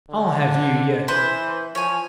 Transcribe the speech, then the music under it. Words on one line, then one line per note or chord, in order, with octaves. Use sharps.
"I'll have you yet."
D3
E3 B4 C5
F3 C#5 G#5